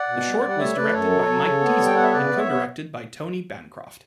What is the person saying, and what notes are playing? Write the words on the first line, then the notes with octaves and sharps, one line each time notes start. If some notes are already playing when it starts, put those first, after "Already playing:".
The short was directed by Mike Disa and co-directed by Tony Bancroft.
Already playing: D5 F#5
B2
G3
G3
F#5
A3 C#5 E5
A3 B4 D5
F#2 A4 C#5
F#3
F#3
C#3
B3
G3
G5
B3 F#5
E5
C#3 B4 D5
B3
C#5 E5
B3
C#5